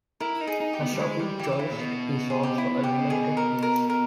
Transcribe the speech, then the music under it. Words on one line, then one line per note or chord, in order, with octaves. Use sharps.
A soffit joist is also a related piece.
E4 A#4
D#4
G#4
D#4
G4
B3
G3
G#3 E4
G3 G4
E3 G4
C#3 E4
A#2
B2
G#4
G4
E4
G4
G#4
A#4
A#4
A#4